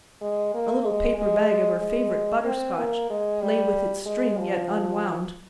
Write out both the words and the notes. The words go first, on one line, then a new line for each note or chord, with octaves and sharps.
A little paper bag of her favorite butter-scotch lay with its string yet unwound.
G#3
A#3
G#3
G#3
G#3
C4
A#3
G#3
G3
G#3
F3